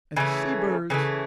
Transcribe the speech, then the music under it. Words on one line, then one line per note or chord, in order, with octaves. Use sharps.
And sea birds!
C#3 E3 A3
C#3 E3 A3